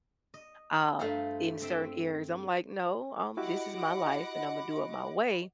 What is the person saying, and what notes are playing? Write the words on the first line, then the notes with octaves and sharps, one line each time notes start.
uh, in certain areas, I'm like, "No, um, this is my life, and Imma do it my way,"
D#5
G2 A3 F4 A4 C5 A#5
C4 E5 G5 C6
E4 F#4 G4 D#5 F#5 B5 D6